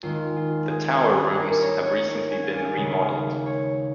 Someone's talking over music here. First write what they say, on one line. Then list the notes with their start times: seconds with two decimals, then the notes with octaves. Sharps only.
The tower rooms have recently been remodeled.
0.03 D#2 D#3 G#3 F4
0.36 F4
0.71 G#4
0.94 G#4
1.16 G#4
1.40 A#4
1.62 C#5
1.86 C#5
2.08 C#5
2.31 G#5
2.43 F5
2.76 D#2 C#3 G#3 F5
2.99 F5
3.46 C#5